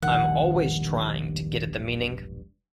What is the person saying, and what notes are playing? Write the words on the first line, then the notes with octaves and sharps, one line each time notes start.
I'm always trying to get at the meaning.
E1 A#1 G2 D#3 F#5